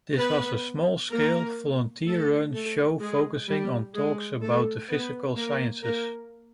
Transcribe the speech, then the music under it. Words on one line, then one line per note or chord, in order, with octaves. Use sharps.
This was a small scale, volunteer-run show focusing on talks about the physical sciences.
B3 B4
A#3 A#4
A3 A4
A3 A4
G#3 G#4
G3 G4
G#3 G#4
A3 A4
B3 B4
A#3 A#4
A#3 A#4